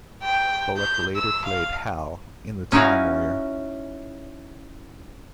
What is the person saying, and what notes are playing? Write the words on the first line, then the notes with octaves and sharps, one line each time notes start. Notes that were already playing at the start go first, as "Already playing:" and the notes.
Bulloch later played Hal in "The Time Warrior".
G5
G6
E6
F5
C#4 D#4 E4 F#4 C#5 F5